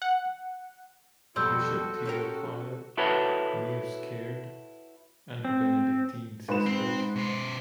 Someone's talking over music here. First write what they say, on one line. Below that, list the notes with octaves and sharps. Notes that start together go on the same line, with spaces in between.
Bishop Theophile Meerschaert and the Benedictine Sisters.
F#5
F2 B2 G3 F#4 A4 C6 E6 G6
C#4 G4 A#4
E4 F#4 A4 B4 C#5
C4
G#2 B4 E7
C4
B2 C5